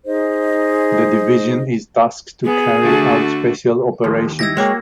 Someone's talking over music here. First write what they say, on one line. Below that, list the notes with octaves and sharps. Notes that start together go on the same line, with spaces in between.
The division is tasked to carry out special operations.
D#4 G#4 C5 D#5
B3 G#4
D3 A3 F#4
D#2 F3 G#3 A#3
D#4 E4 G4 E6 G#6 A#6
G#3 A#3 F#4 C#5 G5